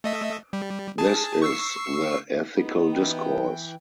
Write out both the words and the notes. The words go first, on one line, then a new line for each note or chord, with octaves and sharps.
This is the ethical discourse.
A3 D#5 E5
G3
G#4 A5
C#6 E6 C7
B3 D#4
E3 G5